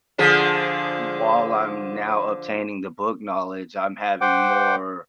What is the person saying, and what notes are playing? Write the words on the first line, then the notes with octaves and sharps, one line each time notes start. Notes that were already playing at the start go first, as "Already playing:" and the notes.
while I'm now obtaining the book knowledge, I'm having more
D3 F3 G#4
C5 F#5 G5 D6